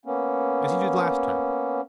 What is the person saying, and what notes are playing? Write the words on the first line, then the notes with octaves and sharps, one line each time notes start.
As you did last time!
A#3 B3 C#4